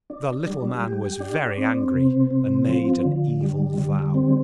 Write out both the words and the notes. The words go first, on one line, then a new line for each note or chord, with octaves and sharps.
The little man was very angry, and made an evil vow.
D4
G3
G4
D4
C4
C3
C4
F3
D3
G3
D3
C4